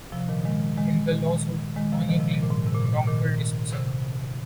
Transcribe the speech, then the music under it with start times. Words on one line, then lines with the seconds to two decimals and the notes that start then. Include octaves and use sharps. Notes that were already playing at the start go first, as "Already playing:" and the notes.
In the lawsuit, Onoo claimed wrongful dismissal.
0.12 C3 F3
0.29 A#2 D#3
0.45 D#3 G#3
0.77 D#3 G#3
1.10 A#2 D#3
1.76 D#3 G#3
1.92 C3 F3
2.09 A#2 D#3
2.20 C3 F3
2.31 A#2 D#3
2.42 A#2
2.50 G#2
2.66 C3
2.74 A#2
2.85 A#2
2.97 C3
3.07 A#2 D#3
3.73 C3